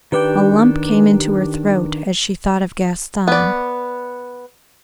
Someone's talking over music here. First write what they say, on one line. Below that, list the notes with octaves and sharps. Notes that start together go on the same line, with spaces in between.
A lump came into her throat as she thought of Gaston.
D#3 D4 G4 B4 G5 D6
B3 D5